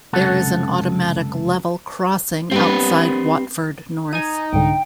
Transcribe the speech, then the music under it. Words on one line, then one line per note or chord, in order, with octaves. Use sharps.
There is an automatic level crossing outside Watford North.
C#2 F#2 C3 A4 F#5
G3 B3 C4 D4 B4
D#4 G#5 D#7
C2 G#2 D3 G5